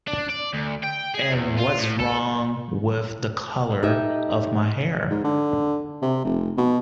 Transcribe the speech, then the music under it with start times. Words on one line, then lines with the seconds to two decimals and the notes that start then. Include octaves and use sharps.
And what's wrong with the colour of my hair?
0.08 D4
0.30 D5
0.54 D2
0.83 G5
1.14 G#4
1.32 E2
1.58 F4
1.79 A2
2.00 A4
3.83 D#4 G4 A4 D#5 E5
5.10 G#2
5.24 D3
6.02 C3
6.24 F1
6.57 B2